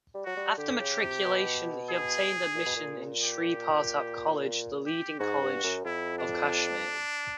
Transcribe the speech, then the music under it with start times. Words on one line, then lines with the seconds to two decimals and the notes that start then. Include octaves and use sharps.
After matriculation he obtained admission in Shri Partap College, the leading college of Kashmir.
0.14 G3
0.25 F#3 F#4
0.37 G3
0.57 D3 G4
0.80 C#3
1.02 C3
1.25 B2
1.90 G#4
2.56 A#2
2.66 B2
2.76 A#2
3.22 G4
4.86 G4
5.19 G#2 F#4
5.41 G2
5.64 F#2
5.85 F2 E4
6.19 D4